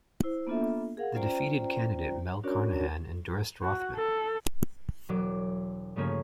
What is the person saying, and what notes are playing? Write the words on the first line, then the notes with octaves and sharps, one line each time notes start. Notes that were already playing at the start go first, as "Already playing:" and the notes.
The defeated candidate Mel Carnahan endorsed Rothman.
E4 C5
A#3 B3 D4 F4 A4 E5
G#4 A#4 F5 F#5
C#4 F4 C5 D5 G5 A#5
C#4 D4 F#4 A#4 C#5 D5
F#4
A4
E1 F#3 D5 D6
G2 C#3 F3 A3 A#3 C#4